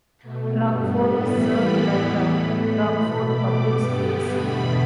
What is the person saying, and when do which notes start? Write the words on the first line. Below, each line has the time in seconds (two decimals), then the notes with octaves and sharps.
Rockford is served by the Rockford Public Schools.
0.22 B2 A3
0.57 G2 G3 B3
0.90 A2 G3 B3 B5
1.25 A2 E3 G3 B3 B5
1.60 A2 E3 G3 B3 B5
1.94 E2 E3 B3
2.28 A2 A3 B5
2.62 A2 A3 B5
2.96 B2 A3 B5
3.30 B2 A3 D6
3.66 G2 G3 B3
3.99 G2 D3 G3 B3
4.33 E2 B2 A3 B5